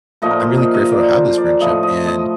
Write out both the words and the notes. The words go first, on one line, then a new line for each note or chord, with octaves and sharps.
I'm really grateful to have this friendship, and
A#2 F3 A3 D#5
A#4
C5
D#5
D#5
D5
C5
D5
A2 F3 A3 D#5
D#5
D#5